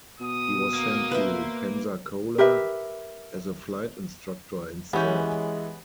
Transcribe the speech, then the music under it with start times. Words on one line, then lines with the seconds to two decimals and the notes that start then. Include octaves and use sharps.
He was sent to Pensacola as a flight instructor instead.
0.20 B2 D#6
0.74 A#3
1.11 B4 C5 E5
2.38 G4 A#4 B4 E5
4.93 E3 G#3 B3 C#4 G4 C#5 G6